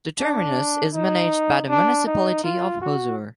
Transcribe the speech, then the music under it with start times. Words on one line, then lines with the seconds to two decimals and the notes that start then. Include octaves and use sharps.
The terminus is managed by the municipality of Hosur.
0.20 D4
0.95 D#4
1.69 D4
2.06 D#4
2.44 F4
2.82 F#4